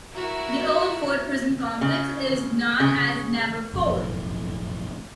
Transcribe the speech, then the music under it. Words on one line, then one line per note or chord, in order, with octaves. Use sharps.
The Old Fort Prison complex is known as Number Four.
E4 F#4 A#4 E5
C#3
C#3
F#1 B1 F2 A2